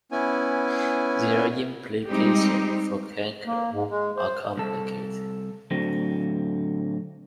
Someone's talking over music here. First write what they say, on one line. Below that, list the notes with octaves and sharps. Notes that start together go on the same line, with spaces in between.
Their implications for cancer are complicated.
B3 C#4 E4 G#5
G3 G#3 C4 D#4 G4
A#3
G#2
G#3
C5
C2 A4
A2 D3 F#3 C4